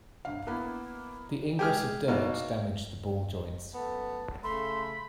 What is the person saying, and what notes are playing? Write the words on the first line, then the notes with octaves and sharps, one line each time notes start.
The ingress of dirt damaged the ball joints.
G1 F5
A#3 B3 E4
G#3 G4 G#4 F6
B2 A#3 D#4 F5
F#2 A3 B3 A5
C#3 A3 B5 C6